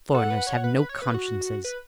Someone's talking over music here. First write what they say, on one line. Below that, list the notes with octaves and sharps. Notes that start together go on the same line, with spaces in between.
Foreigners have no consciences.
A4 F#5
B4
C#5
B4
B4
C#5
B4
F#4
B4